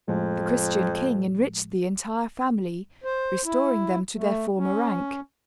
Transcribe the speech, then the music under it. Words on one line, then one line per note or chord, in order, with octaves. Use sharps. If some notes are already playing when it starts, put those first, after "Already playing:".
The Christian king enriched the entire family, restoring them to their former rank.
F2 A2 F3 G#3
C5
E4
A3
C#4